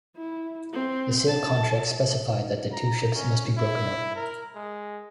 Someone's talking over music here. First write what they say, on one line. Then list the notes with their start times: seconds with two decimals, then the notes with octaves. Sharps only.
The sale contract specified that the two ships must be broken up.
0.16 E4
0.73 C4
1.27 A5
2.73 A#5
3.15 C#4
3.58 E4
4.15 A#4
4.55 G#3